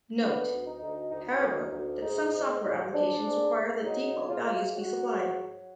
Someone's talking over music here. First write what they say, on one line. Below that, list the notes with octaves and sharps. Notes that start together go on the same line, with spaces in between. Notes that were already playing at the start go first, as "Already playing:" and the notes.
Note, however, that some software applications require that default values be supplied.
D3 B3
D2
D#4
D2
D2 D#4
D2
D2
G#2 D#4
G#2
G#2
G#2 D4
G#2
G#2
F#3 D#4
G#2
F4
G#2
F#3 F#4
G#2
F#3